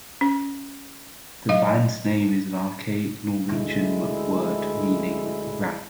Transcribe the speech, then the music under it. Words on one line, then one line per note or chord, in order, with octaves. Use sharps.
The band's name is an archaic Norwegian word meaning "Wrath".
C#4
F#3 D#5 F5
D2 G#3 E4